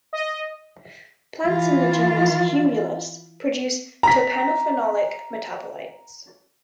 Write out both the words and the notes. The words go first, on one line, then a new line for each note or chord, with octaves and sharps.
Plants in the genus "Humulus" produce terpenophenolic metabolites.
D#5
E3 F4
A#5 B6